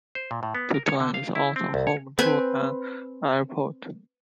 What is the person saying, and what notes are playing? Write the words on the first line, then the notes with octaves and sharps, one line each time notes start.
The town is also home to an airport.
C5
A#2
A2
B3
A#4
C#5
D3
F5
E4
C4
C2
C#5
C4 B4 G#5